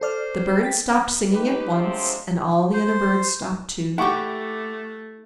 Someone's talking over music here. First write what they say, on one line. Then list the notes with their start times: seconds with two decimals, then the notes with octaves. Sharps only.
The bird stopped singing at once, and all the other birds stopped too.
0.01 A4 C5 D5 F6
0.63 G5 A6 B6
1.31 D#4 G4 B4
1.72 C3 F#3 G#3 D4 F4 C5
2.73 C5
3.98 A3 E4 G4 F#5 C#6 D6